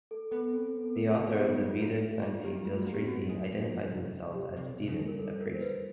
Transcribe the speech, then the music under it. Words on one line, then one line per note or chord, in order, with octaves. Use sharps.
The author of the "Vita Sancti Wilfrithi" identifies himself as "Stephen, a priest".
A4
B3 A4
C4 A4
B3
A4
C4 A#4
A4
B3
G#4
A#3
B3 G4
F4
A#3
F4
A#3 F#4
G#3
A3
A#3 F4
A#3 G4
G#3 F4
A3 F#4
A#3
C4 G4
B3 F#4
A#3
G#3
G3
F#3
F3
C3
C#3
C3 G4
C3
B2
C3
C#3
D3
G#3
G3 A#4
A4
A#4
C5
B4